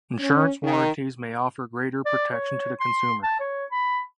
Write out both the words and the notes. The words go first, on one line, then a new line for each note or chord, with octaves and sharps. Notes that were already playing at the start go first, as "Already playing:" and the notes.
Insurance warranties may offer greater protection to the consumer.
C#4
D#3
D5
C#5
C6
A5
C#5
B5